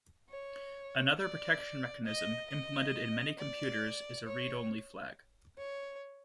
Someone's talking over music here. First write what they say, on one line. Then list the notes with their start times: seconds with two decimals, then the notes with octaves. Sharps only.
Another protection mechanism implemented in many computers is a read-only flag.
0.29 C#5
1.17 D5
2.06 D#5
2.50 D#5
3.39 D5
4.26 C#5
5.58 C#5